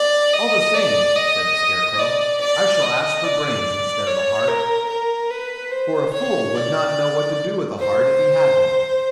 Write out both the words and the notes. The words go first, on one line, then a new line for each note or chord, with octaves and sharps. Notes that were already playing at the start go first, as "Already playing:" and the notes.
"All the same," said the Scarecrow, "I shall ask for brains instead of a heart; for a fool would not know what to do with a heart if he had one."
Already playing: D5
D#5
D5
D#5
D5
D5
D#5
D5
C#5
A#4
A#4
B4
C5
C#5
D5
C5